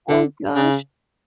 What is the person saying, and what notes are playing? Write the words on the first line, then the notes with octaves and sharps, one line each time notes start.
Oh gosh.
D3
C#3